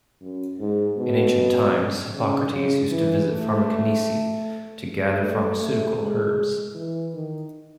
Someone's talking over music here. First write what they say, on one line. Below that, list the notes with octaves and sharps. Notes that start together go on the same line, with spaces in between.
In ancient times, Hippocrates used to visit Farmakonisi to gather pharmaceutical herbs.
F#2
G#2
B2
C#3
C#3
E3
A3
A3
A3
G#3
E3
D#3